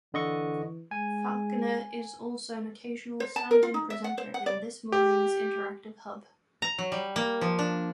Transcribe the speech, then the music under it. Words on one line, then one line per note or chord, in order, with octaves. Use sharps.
Falconer is also an occasional stand-in presenter in "This Morning's" interactive "hub".
D3 E3 D#5 C#6
G#3 G#5
C5
A5
A#4
F4
D#4
E5
F#5
C5
F#5
D5
G4
A#5
F#3
G3
A#3
F3
D4